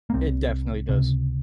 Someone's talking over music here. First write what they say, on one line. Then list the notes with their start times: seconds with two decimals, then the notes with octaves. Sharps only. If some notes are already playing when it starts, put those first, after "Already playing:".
It definitely does.
0.10 A#3
0.14 C2 C3 C4
0.89 C#2 C3